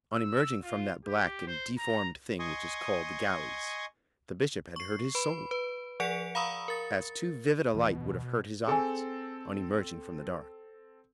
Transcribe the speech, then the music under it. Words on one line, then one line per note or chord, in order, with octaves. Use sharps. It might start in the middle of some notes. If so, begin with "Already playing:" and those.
On emerging from that black and deformed thing which is called the galleys, the Bishop had hurt his soul, as too vivid a light would have hurt his eyes on emerging from the dark.
E6
F4
G4
C5
A#5
D#5 G#5 C6 C#6 D#6
C#6 C7
B4 B5
B4
F3 G#4 D5 F#5 C#7 D7
F5 A#5 B5 C#6 D#6 E6
A#4 A6
D#1 G#1 B2 E3
C4 G#4 A4 G#5